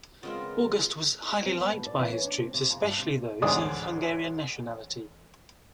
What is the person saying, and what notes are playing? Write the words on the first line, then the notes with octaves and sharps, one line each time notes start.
August was highly liked by his troops, especially those of Hungarian nationality.
C#3 G#3 B3 C4 F4 A#4
C4
B3
B2
D5
E3
C#4
D4
C4
C3
F2
G2
C3
A1 D2 G#2 D5 G#5 D#6